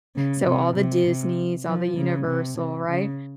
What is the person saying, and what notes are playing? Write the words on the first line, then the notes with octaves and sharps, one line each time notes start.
So, all the Disney's, all the Universal, right?
C#3
C3
C3
C3
F3
C#3
C3
C3
C#3